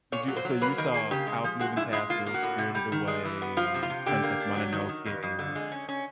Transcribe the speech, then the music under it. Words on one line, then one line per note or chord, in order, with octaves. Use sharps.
Did you Uh, so you saw Howl's Moving Castle, Spirited Away, Princess Mononoke.
A#2 C#5
F#3
C5
F#3
A#3 B4
D#3 A#4
A#3 G#4
C#3 G4
G#3
F3
G#3 F#4
A#2 E4
G#3 E4
A#3 F4
A#3
F#4
A2
C3
G3
D#3
G#3
E3
B3
F3 F4
C3
F4
C3
D3 G4
A#3
D4
F#3
D#3
D#3
F2
F2
D3
G#3
C#4
C#4